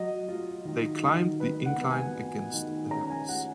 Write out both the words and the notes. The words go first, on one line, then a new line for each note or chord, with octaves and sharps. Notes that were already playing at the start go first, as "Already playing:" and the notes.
They climbed the incline against the heavens.
Already playing: F#3 D#5
F4
D#3
D#3
D#3 B4
F#5
B3
G#5
B3
D#3
C#4 A#5
G#5
F4 F#5